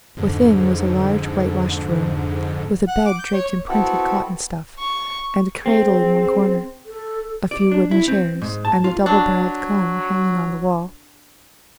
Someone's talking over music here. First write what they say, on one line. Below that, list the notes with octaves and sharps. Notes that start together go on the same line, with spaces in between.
Within was a large whitewashed room, with a bed draped in printed cotton stuff, and a cradle in one corner, a few wooden chairs, and a double-barrelled gun hanging on the wall.
F2 G#2 D3
F#5
D6
G6
C#5
B3 C4 E4 F#4 A4
C#6
C4 G#4
A4
D5
D4
E4
C4
G#2
A5
F4
F#3 D4